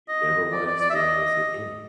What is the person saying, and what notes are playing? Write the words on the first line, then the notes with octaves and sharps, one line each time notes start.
you never wanna experience again.
D#5
D5
D5
D5
E5
D#5